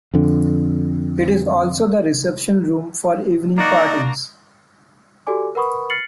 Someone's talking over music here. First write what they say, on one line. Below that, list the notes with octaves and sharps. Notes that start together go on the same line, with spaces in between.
It is also the Reception-room for evening parties.
F2 D3
A#3 D4 D#4 F#4 D5 A#5
F#4 G4 A4 D5 G#5 D6
A#4 B4 F#5 B5 C#6 D#6
F6 A6 C7 C#7 F#7